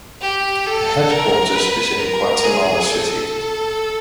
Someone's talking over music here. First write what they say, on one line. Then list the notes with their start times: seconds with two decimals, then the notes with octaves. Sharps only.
The headquarters is in Guatemala City.
0.21 G4
0.66 A4
1.11 A#4
1.55 B4
1.99 A#4
2.44 G#4
2.87 A4